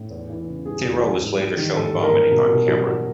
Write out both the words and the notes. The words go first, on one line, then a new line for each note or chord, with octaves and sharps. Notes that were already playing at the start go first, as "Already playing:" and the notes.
Theroux was later shown vomiting on camera.
Already playing: A2
E2
E3
C#3
G3 G#4
E2
E3
G#2
G3
D#3
G#2 A4
G#2
A#4
G3
B2 A#4
B2
F#3
F#3